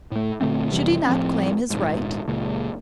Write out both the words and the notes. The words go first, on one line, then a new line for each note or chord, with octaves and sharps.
Should he not claim his right?
A2 A3
A#2 D3 A3 C4
F2 C3 E3 G3
A2 F3 C4
D#1 G#1 G#2
C#2 A#2